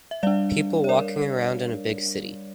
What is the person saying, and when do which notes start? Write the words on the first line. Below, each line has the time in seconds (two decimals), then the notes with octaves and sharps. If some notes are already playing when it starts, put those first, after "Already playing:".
People walking around in a big city.
0.11 E5
0.23 G3 D4 D5 F5
0.84 C#5
0.89 A#4 D5